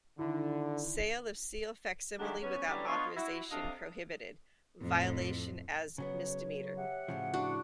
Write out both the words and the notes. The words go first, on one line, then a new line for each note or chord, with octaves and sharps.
Sale of seal facsimile without authorization prohibited-Violation as misdemeanor.
D3 D#3 E4
D#3 F#3 G#3 A3 D4 G4
B3 C#4
D3 E3 F#3 G3 C#4 D4
B3 D4 F4 C#5 D#5 F5
E4 F#4
C3 D4 A4 D#5 F5
F2 A2
C#3 F#3 B3 C#5
G4 E5 F#5
A2 C#3 F3
D4 E4 F#4